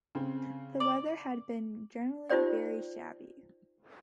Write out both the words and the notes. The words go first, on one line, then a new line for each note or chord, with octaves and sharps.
The weather had been generally very shabby.
C#3 C4
D5
D#4 F4 G4 C5 D5 G5